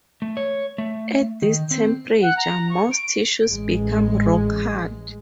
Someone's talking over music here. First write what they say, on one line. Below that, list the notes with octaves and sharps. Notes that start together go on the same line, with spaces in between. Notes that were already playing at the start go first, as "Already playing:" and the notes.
At this temperature, most tissues become rock-hard.
A3
C#5
A3
D#3
C4
F#5
A#5
C#6
D7
A1 G#3